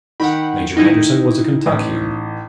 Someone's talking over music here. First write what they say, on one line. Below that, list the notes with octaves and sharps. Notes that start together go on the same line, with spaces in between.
Major Anderson was a Kentuckian.
D#3 F#5 G5 B5
D#3 D#4 E4
A1